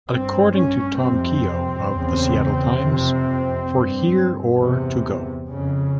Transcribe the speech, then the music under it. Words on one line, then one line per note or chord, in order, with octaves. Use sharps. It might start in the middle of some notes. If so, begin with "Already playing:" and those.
According to Tom Keogh of "The Seattle Times" ""For Here or to Go?
G2 C4
C#4
F2 C3 C4
E2 C#3
F2 C3
G2
E2 C3
F2 C#3